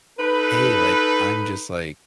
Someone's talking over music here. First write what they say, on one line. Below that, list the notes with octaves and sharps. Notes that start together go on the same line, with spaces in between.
hey. Like, I'm just like,
D#4 A4 B4